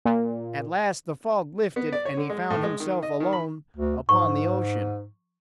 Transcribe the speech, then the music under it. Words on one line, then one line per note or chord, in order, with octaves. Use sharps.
At last the fog lifted, and he found himself alone upon the ocean.
A#2
B3
D5
C#5
D3
G#3
A2
G#3
D#3
D#5
D#3
B5
D2
G#2 C#6